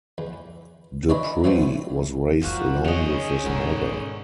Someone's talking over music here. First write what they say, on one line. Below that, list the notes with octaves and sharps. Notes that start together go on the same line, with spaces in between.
Dupree was raised alone by his mother.
E2
E3 D4 C#5 D#5 B5
F3 F#3 A3 B3 C4 D4
F2 A#2 F3 F#3 F#4
D#3 C#4 G#4 C#5 D#5
G#2 B2 D3 A#4